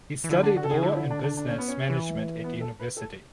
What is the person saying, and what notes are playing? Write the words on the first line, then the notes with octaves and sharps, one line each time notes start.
He studied law and business management at university.
E3
D3 E4
D4
F#4
A4
G#4
C#3
D3 E4
E4
D4
D4
D4
C#4
B3
C#4
E3
B3
A4
B4
A4